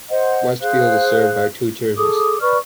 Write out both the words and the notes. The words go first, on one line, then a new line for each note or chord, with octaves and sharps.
Westfield is served by two churches.
C5 D#5 F#5
G#4 C5 F5 F#6
G#4 A4 D6 D#6
B4 D5 C#6 F6